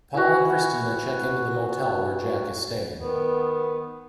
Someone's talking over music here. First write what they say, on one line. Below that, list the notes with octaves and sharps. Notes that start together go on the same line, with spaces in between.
Paul and Cristina check into the motel where Jack is staying.
E3 F#4
D#3 B3